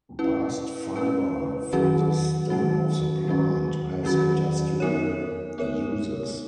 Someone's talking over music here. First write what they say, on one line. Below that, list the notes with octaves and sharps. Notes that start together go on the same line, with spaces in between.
Bast fibre from the stem of the plant has industrial uses.
C#4 E4 B4
C#4 E4 B4
D#3 F#3 C#4 F#4
D#3 F#3 C#4 F#4
D#3 F#3 C#4 F#4
D#3 F#3 C#4 F#4
B3 D#4 A#4 C#5
B3 D#4 A#4 C#5